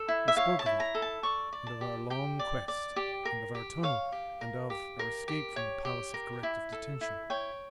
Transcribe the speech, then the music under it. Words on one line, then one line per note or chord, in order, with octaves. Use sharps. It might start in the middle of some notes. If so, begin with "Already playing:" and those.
We spoke of it, and of our long quest, and of our tunnel, and of our escape from the Palace of Corrective Detention.
Already playing: A4
E4
E5
C#5 F5
A5
E4
A#5
A4
A5
D5 C#6
D5
A5
G4
G4 G5
D5
D5
G4
A#4
G4
C#5 F5
G4
A#4
G4
A#4
G4
C#5
G4
A#4
E4
A4
E4
C#5 G5